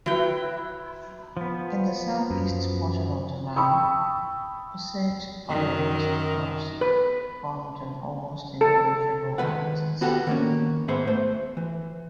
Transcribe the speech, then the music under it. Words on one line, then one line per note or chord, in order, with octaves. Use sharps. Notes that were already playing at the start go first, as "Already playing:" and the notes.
In the southeast portion of the line, Osage-orange shrubs formed an almost impenetrable abatis.
F#3 E4 B4 G5
F3 B3
F#2
G5 A5 B5 C#6 D#6 E6
F#2 D#3
B4
A4
D#3 G#3 A#3 B4 F#5
B3 F#4 G4 A4 F#5
D#3 A#3 C#4
G#2 B3 G#4 C5 E5 C6
A3 C5
E3